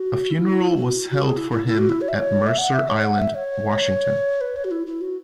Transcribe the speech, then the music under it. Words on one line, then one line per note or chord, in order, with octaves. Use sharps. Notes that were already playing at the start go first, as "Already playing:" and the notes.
A funeral was held for him at Mercer Island, Washington.
Already playing: F#4
E4
F#4
F#4
G#4
E4
E4
E4
F#4
E4
C#5
E5
C#5
E5
F#5
E5
C#5
F#5
E5
C#5
B4
C#5
F#4
E4
E4
F#4